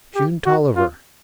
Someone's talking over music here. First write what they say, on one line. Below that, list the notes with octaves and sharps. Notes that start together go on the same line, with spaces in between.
"June Tolliver."
G4
F#4
F4